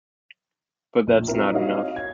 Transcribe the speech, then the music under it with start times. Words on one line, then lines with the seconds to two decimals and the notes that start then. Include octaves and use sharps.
But that's not enough.
1.07 A#1
1.27 F#3 C4 E4 A#4 E5
1.52 D#4 F#4 G4 C#5 D#5 F5
1.96 G#6